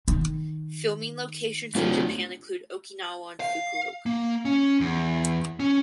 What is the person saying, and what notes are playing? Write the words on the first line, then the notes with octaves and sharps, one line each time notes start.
Filming locations in Japan include Okinawa and Fukuoka.
D#3
D1 A3 F4 G4
F5
A#3
C#4
E2
C#4